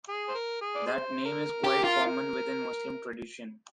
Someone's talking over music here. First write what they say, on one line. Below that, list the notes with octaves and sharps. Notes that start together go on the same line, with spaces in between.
That name is quite common within Muslim tradition.
G#4
C5
A#4
G#4
D5
G#4 C5
A#4
G4
F4